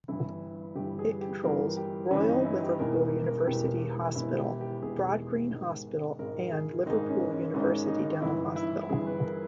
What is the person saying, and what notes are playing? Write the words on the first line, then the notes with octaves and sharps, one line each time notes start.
It controls Royal Liverpool University Hospital, Broadgreen Hospital and Liverpool University Dental Hospital.
G1 G2 E3 G3 E4
G1 G2 E3 G3 G4
G#4
G4
G1 G2 E3 G3 A#4
G4
G1 G2 E3 G3 C#4
D#4
E4
G4
E1 E2 D#3 A#4
A#4
E1 E2 D#3 G4
E1 E2 D#3 E4
E4
G4
G4
E1 E2 D#3 G#4
G#1 G#2 D#3 G#3
G#1 G#2 D#3 G#3 A#4
G#4
G#1 G#2 D#3 G#3 D#4
C#4
C#4
G#1 G#2 D#3 G#3 C#4
D#4
G1 G2 E3 E4
E4
G1 G2 E3 G#4
B4
A#4